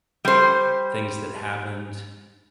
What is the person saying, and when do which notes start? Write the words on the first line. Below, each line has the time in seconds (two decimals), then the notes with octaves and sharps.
things that happened.
0.25 G3 C5